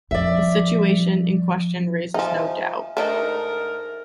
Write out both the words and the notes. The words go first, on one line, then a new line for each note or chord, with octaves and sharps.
The situation in question raises no doubt.
F2 F3 D5 E5
F3 D#4 E5 G#5
G#2 A3 D4 D#4 A#4